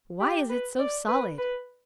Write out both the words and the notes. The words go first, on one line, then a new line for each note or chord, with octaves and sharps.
Why is it so solid?
G4
B4
D5
B4
B4